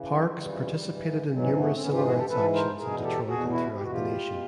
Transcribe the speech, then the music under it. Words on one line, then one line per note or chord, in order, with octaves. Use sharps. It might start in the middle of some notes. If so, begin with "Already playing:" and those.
Parks participated in numerous civil rights actions in Detroit and throughout the nation.
Already playing: C#3 E3
F#3
F2 C#3 E3 G3
G#2 E3
G#2 E3 F#3 G#3
A3 B3
C4
G#2 E3 B3 C#4
F4 G4
F#4 G#4
G4 A4
G#2 E3 A4 B4
A#4 C5
E2 B2 G#4 A#4
G4 A4
E2 B2 F#4 G#4
E4 F#4
E2 B2 F#4 G4
F4 G4
B2